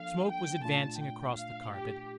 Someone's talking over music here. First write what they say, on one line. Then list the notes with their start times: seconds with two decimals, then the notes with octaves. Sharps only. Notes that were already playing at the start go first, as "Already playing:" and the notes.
Smoke was advancing across the carpet.
Already playing: F3 A#3 D4 A4 F5
0.30 G5
0.64 A#2 A3 D4 F4 A5
1.00 G5
1.35 F5
1.71 G4